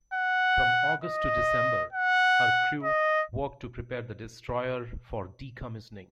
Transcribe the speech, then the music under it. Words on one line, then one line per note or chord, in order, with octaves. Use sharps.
From August to December, her crew worked to prepare the destroyer for decommissioning.
F#5
D#5
F#5
D#5